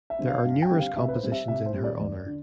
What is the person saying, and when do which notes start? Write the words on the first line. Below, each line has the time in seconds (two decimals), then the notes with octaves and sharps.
There are numerous compositions in her honour.
0.10 E5
0.19 D3 G3 C4
0.27 F5
0.44 G2 F5
0.62 G5
0.70 D3 G3 C4
0.79 F5
0.97 C3 E5
1.08 B4
1.13 C5
1.23 G3 C4
1.32 E5
1.48 C3 E5
1.66 C5
1.74 G3 C4
1.84 D5
2.00 E2
2.26 D3